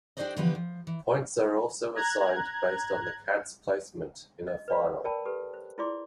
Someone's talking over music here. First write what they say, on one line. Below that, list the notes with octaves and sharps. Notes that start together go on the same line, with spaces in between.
Points are also assigned based on the cat's placement in a final.
D4 G4 A4 C5 D5 D#5
D3 E3 F3 B3 G4 B4
F3
E3
A#5 F#6 G#6
D#5
B4 D5 F5
A#4 D5 G5 A5 B5
G4 A4 B4
C5
E4 F4 G#4 D5 C6 D6